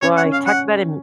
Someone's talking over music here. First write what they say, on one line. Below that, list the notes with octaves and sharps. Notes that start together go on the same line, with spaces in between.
Boy, talk about am
C#4 C#5
F#5
C#4
F5
F#5